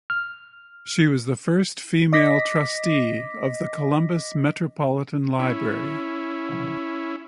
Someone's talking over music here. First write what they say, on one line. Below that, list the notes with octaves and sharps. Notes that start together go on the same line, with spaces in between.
She was the first female trustee of the Columbus Metropolitan Library.
F6
D#5 D6 A#6 B6
C#4 E4